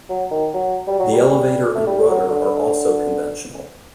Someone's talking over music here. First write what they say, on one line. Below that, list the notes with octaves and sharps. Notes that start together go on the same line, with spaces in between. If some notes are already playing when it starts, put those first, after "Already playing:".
The elevator and rudder are also conventional.
F#3
D#3
F#3
G3
F#3
G3
A3
G3
F#3
D3